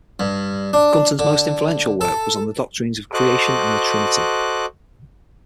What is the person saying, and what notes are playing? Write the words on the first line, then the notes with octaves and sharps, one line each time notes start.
Gunton's most influential work was on the doctrines of Creation and the Trinity.
G2
D4
D3
A4
F#4 A4 C5 D#5 D6 F#6